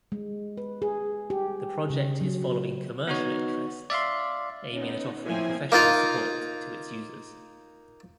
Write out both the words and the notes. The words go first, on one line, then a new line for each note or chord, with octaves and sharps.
The project is following commercial interests, aiming at offering professional support to its users.
G#3
B4
G#4
G4
C#3
F#3
B3 D#4 F#4 C#5
D5 E5 F5 C6
B3 C#4 D#4
F3 A#3 C4 E4 F4 G#5
A#3 D#4 F4 A#4